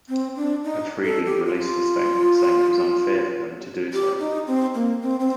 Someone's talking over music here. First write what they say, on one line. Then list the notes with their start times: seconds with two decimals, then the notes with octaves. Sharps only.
Afridi released a statement saying it was unfair for them to do so.
0.09 C4
0.36 D4
0.64 D#4
1.05 A4
1.26 G4
1.46 F4
3.93 G4
4.20 D#4
4.47 C4
4.75 A#3
5.02 C4
5.20 C4